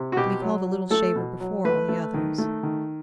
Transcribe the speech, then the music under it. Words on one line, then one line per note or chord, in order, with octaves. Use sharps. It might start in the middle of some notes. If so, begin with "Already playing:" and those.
To be called "a little shaver" before all the others!
Already playing: C3
F#4
B2 G4
F#3
F#3
A3 A4
B2
F#3
A3 B4
A3
D#3
A3
D#3